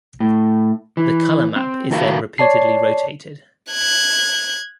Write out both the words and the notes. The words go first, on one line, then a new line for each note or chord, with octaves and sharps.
The color map is then repeatedly rotated.
A2
E3
C4
C#2 D#3 F#4 A#4 E5 F5
C#5 D5 A5 C7
F#6 G#6